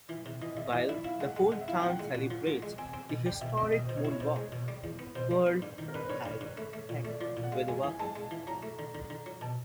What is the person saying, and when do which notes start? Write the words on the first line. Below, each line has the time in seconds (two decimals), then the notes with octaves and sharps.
While the whole town celebrates the historic moonwalk, Pearl has sex with Walker.
0.09 E3
0.26 C3
0.41 E3 D#5
0.57 C2 E5
0.66 D#5
0.73 E3 D5
0.89 E4 E5
1.04 E4 F5
1.20 G#3 F#5
1.36 G#3 F#5
1.52 G#3 F#5
1.61 E5
1.68 E4 F5
1.80 G5
1.83 F3 F#5
2.00 G#3
2.15 A#2
2.31 F3
2.47 F3
2.62 G#3
2.78 C4 G#5
2.94 C4
3.10 B2
3.26 G3 G5
3.41 B2 E5
3.57 C4 D#5
3.73 B2 D#5
3.87 B2 C5
3.97 C#5
4.05 E4
4.11 C#5
4.20 B2 C5
4.36 G#3
4.52 B2
4.68 G3
4.84 E2
4.99 B3
5.15 B2 C5
5.31 G3
5.46 B3
5.62 G2
5.78 D#3
5.88 A#4
5.94 G2 B4
6.03 C5
6.10 G2 C#5
6.26 G2
6.41 G2
6.57 A3
6.73 A3
6.89 A#2
7.05 A3 D5
7.20 F3 D5
7.37 A#2
7.43 F#5
7.52 G#3 F5
7.68 G#3 G#5
7.83 E3 G#5
8.00 G#3 A5
8.16 G#3
8.31 E3
8.47 F#3 A#5
8.63 A3
8.79 D3
8.95 D3
9.10 D3
9.26 F#3
9.41 B2 A5